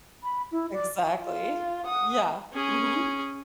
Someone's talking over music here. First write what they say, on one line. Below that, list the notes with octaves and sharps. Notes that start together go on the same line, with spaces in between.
Exactly. Yeah. Mhm.
B5
E4
D5
F4
F#5 D#6
C#4 G#4